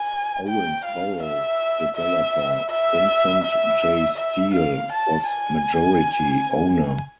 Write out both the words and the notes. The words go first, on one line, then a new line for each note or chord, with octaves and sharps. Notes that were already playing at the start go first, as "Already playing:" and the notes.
Owensboro developer Vincent J. Steele was majority owner.
Already playing: G#5
G5
F5
E5
E5
E5
E5
E5
F5
A5
G#5